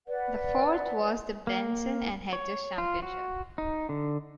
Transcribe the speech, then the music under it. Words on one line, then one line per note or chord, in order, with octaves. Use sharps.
The fourth was the Benson and Hedges Championship.
B4 D5 F#5
A#3
C#5
F4
F#4
D#4
D3